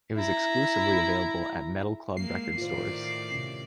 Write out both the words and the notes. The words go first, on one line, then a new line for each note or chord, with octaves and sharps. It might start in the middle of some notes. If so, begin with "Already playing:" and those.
It was exclusively available at Metal Club record stores.
E4 A#5
G#3 A#3 C7
A2 D#3 F4 C5 D5
C3 C#4